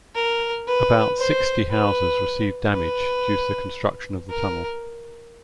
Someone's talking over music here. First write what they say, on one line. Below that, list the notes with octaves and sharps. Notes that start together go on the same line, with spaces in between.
About sixty houses received damage due to the construction of the tunnel.
A#4
B4
C5
B4
B4
A#4